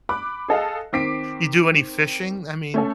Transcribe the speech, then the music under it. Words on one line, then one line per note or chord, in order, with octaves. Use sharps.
you do any fishing? I mean
B5 D6 F#6
G#4 A4 D#5 F5
D#3 C4 D6 B6 C7 D7
A3 C#4 A4